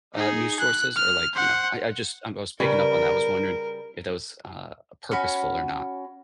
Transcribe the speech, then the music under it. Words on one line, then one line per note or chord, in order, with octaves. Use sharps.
uh, news sources? Or like, you know I I just I was picking up on that, I was wondering if that was, uh, purposeful or not.
D#4 G#4
F#6
F6
C5 F#5
C#3 G3 A#4 B4
C#4 F#4 B5